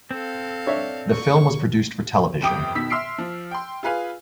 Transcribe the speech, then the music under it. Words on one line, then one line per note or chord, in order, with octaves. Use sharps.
The film was produced for television.
C4 A4 F5
D4 C#5 E5
A#3 C#6
G1 F2 G4 G5 D6 D#6
B2 D#3 E6 B6
E5 C6 E6 F6 C7 D7
F3
G5 C6
F4 G#4 B4 F5 G#5